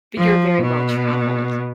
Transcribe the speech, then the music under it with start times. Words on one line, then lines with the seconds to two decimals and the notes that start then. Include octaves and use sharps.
you're very well traveled.
0.17 F3
0.62 B2